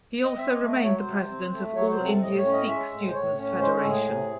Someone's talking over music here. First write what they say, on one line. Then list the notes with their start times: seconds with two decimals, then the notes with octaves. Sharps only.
He also remained the President of All India Sikh Students Federation.
0.25 D#5
0.37 C4 E5
0.53 D#5
0.61 A3
0.68 D#5
0.83 F#3 C#5
0.98 C5
1.06 C3
1.14 C5
1.30 C4
1.52 A3
1.75 F#3 C#5
1.86 C#5
1.91 C5
1.99 C3
2.06 A4
2.22 A2 D#5
2.38 C#5
2.45 C#4
2.53 D#5
2.68 G#3 E5
2.91 A2
3.07 C5
3.14 A2 C#5
3.38 C#4
3.60 G#3 C5
3.76 A4
3.84 A2
3.92 G#4
4.07 C3